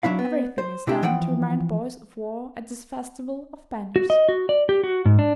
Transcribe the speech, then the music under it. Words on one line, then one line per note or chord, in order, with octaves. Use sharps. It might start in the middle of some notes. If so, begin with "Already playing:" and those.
Everything is done to remind boys of war at this Festival of Banners.
F#3 D4 E4 F5
B3
C5
C3 D4 E4 G4
E3 F3 F#5 G5
F#4
D#5
F#4
D5
G4
F#4
G#2
D4